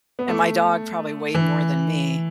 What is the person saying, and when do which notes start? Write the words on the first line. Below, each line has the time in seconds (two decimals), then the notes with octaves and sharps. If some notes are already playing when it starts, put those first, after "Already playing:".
and my dog probably weighed more than me,
0.19 B3
0.28 A3
1.35 E3